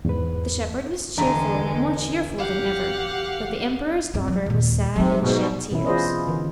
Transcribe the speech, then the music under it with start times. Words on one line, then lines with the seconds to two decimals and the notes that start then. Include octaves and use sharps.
The shepherd was cheerful, more cheerful than ever, but the emperor's daughter was sad and shed tears.
0.05 E2 G#2 B4
1.17 E1 D3 G#3 D4 A#5
2.39 G4 F5 F#5
4.14 C3 C4
4.28 F#3
4.46 D#2 A#2
4.96 C3 F#3 D#4
5.21 G#2 B2
5.71 B2 E3 C#4 E4
5.85 F4 G#4 B4 C5 D5 D#5
6.27 D3 E3